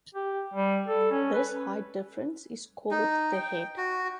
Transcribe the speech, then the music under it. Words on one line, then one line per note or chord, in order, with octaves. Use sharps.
This height difference is called the head.
G4
G3
A4
C#4
B4
D#4
G5
F#4